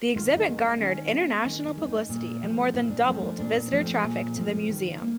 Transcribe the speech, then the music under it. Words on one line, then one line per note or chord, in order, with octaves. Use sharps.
The exhibit garnered international publicity and more than doubled visitor traffic to the museum.
D#3 F4
D#4
G#3 B3
D4
D#3 C#4
G#3 B3
D#3 C#4
C#4
G#3 B3
D#4
A#2
F3 A3 C4
A#2 E4
D4
F3 A3 C4 C#4
D4
A#2 D4
F3 A3 C4
A#2 G#4
F3 A3 C4
D#3
A#3